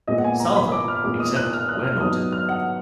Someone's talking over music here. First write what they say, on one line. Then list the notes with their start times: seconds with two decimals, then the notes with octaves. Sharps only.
Souther, except where noted.
0.08 A#2 G#3 B3 D#5
0.18 F#5
0.24 G#5
0.40 A#5
0.56 B5
0.72 D6
0.88 F6
1.04 A#2 G#3 B3 D6
1.20 D#6
1.36 F#6
1.53 F6
1.69 F#6
1.84 F6
2.00 G#2 F#3 B3 D#6
2.32 F6
2.49 F#5